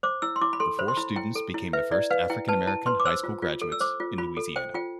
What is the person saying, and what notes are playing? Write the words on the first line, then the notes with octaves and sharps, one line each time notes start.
The four students became the first African American high school graduates in Louisiana.
C5 D6
E4 E6
C6
E4 D6
B5
A4 C6
C5 B5
C6
E4 B5
E4 G5
A4
E4
B4 E5
E4 D5
B4 F5
E4 G5
B4 A5
E4 A5
B4 C6
D6
C5 E6
F4
F4
A4
E6
C5 D6
F4
F4 B5
A4
C5 G5
F4 G5